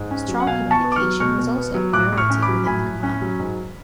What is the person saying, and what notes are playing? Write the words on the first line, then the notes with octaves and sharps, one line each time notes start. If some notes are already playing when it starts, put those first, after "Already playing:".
Strong communication was also a priority within the command.
Already playing: G#2
C#4
F#3
F#5
B2 F5 G#5
B2
A5 C#6
B3
D6
C#6 F6
F#3
B2 C#6 F6
B2
B3
F#3
A2 D6 F#6
A2
C#6 F6
C#4
B5 D6
F#3
A2 G#5 B5
A2
C#4
F#3
G#2